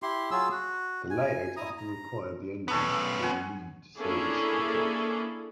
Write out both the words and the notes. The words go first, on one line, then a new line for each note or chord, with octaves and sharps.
The layout often required the engine be removed to service the clutch.
E4 G4 C6
F#3 F4 G#4 E6
F#4
G#5
E4 A#5 D#6
A#5
B3 C#4 A4 C#6
F#5 G#5
A#3 C#4 D4 E4 G#4 A4